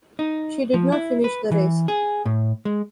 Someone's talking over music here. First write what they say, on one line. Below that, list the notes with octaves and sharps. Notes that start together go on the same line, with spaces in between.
She did not finish the race.
D#4
F3
E4
B4
E3
G#4
A2
G#3